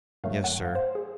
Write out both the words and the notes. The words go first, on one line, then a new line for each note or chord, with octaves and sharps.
"Yes, sir."
G2 D#3 F#3 A3 F5
F#5
F5
C5
G#4